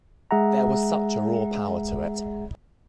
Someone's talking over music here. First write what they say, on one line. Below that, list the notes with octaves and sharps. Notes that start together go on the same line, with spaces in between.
There was such a raw power to it.
G#3 G#4 E5 F#5 A#5